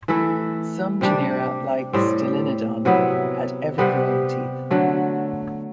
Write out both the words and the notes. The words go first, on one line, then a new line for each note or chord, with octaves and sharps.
Some genera, like "Stylinodon", had ever-growing teeth.
E3 A3 E4 A4
C3 G3 D4
A2 G3 C4
C3 F#3 B3 E4
C3 G3 B3
D3 F#3 A3